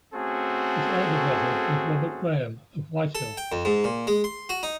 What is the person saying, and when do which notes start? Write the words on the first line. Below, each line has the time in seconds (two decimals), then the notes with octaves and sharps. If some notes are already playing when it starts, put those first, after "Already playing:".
His elder brother was Robert Grahame of Whitehill.
0.14 A3 C4 C#4 F#4 G#4 A4
3.15 A4
3.37 G5
3.52 F2
3.65 G#2
3.84 A#2
4.07 G#3
4.24 C6
4.49 F#4
4.63 D#4